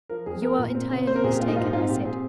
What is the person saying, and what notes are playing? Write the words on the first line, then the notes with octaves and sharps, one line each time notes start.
"You are entirely mistaken," I said.
F3 A#4
F2 G#4
A#3 A#4
A#2
C4
C#3
C4 C5
A#4
A#2 G#4
G4
A#3 F4
D#4
G#2 F4
D#4
C4 F4
A#2 G4
C4 G#4